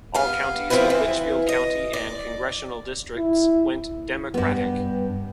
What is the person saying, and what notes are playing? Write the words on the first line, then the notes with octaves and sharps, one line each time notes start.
All counties but Litchfield County and congressional districts went Democratic.
G2 B3 F5
F3 C4 E4 F4 B4
E3
D#5
D5
E4
G2 B3